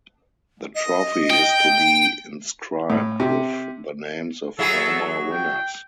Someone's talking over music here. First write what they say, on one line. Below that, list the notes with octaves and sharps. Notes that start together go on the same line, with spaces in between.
The trophy is to be inscribed with the names of former winners.
D#5
G5
A2
C3
F#3 E4 G#4 A4
G5